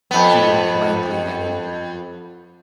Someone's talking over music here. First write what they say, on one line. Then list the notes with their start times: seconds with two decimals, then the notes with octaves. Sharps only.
She looked blankly at him.
0.11 F2 B3